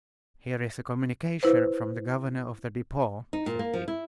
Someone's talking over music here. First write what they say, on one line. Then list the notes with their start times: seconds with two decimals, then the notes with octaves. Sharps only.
"Here is a communication from the governor of the Depot," said he.
1.43 E4 B4 C5
3.33 D#4
3.46 A#2
3.59 A#3
3.74 F3
3.88 E4